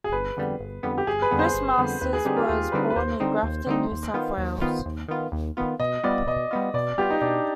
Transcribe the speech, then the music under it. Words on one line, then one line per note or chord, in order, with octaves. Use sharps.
Chris Masters was born in Grafton, New South Wales.
G#4
G1 B4
F2 D3 G3 B3
G1
F2 D3 G3 B3
G4
G1 G#4
B4
F2 D3 G3 B3
C5
G1
F2 D3 G3 B3
D#2 B4
G#4
D3 G3 C4 D#4 G4
F4
D#2 F4
D3 G3 C4 D#4 B4
B4
D#2 C5
D3 G3 C4 D#4
D#2
D3 G3 C4 D#4
D#2
D#3 B3 F4
D#2
D#3 B3 F4
D#2
D#3 B3 F4
D#2
D#3 B3 F4
B2 D#5
G3 B3 F4 D5
B2 D#5
G3 B3 F4
B2 D5
G3 B3 F4 G4
D#4
B2 D4